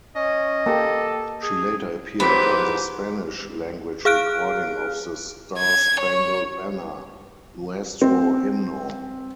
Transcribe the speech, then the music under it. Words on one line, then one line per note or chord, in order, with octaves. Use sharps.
She later appeared on the Spanish-language recording of the Star-Spangled Banner, "Nuestro Himno".
C#4 D#5
A#3 G4 A4
G#4
G#2 F3 B3 C4 G4 B5
G#4 F5 F6 F#6 D7
G#6
C#5
C4